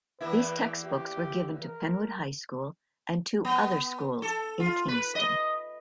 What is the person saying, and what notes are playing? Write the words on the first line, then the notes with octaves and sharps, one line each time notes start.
These textbooks were given to Penwood High School and two other schools in Kingston.
E2 A#3 E4 B4
G4
A#4
B3
A4
F4
B4
D#5